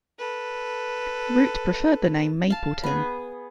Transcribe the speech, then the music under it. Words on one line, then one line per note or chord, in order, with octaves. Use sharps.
Root preferred the name "Mapleton".
A4 B4
F5 A5
B3 G#4